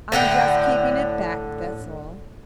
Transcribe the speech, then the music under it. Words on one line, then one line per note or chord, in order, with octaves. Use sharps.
"I'm just keeping it back, that's all."
A2 D3 F#5 G5